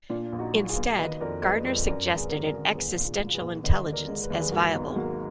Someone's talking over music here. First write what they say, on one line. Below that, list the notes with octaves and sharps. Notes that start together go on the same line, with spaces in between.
Instead, Gardner suggested an "existential intelligence" as viable.
A#2 D4 F4
A#1
D#4 F#4
F#3
F4 G#4
A#1
D#3 B4 D#5
F2 A#4 D5
G#3 B4 D#5
F2 B4 D#5
F#2 A#4 D5
G#1
G#4 B4
D3 A#4
B4
A#4 D5
G#1
A#2 G#4 B4
A#1
F4 G#4
F#3
G#4 B4
A#1
D3 B4 D#5
D#2
A#4 D5
G#3
B4
D#2 D5
G#4 B4
G#2 F#4 A#4
G#1 B3 D#4
G#3
F#3 A#3